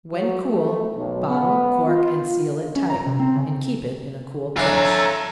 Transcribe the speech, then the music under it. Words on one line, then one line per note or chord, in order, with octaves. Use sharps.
When cool, bottle, cork, and seal it tight, and keep it in a cool place.
F#3
A3
B1
B3
F4
C#4
A#5
C3
C4
C#3
E3 D4 A4 C#5 F5 A#5 E6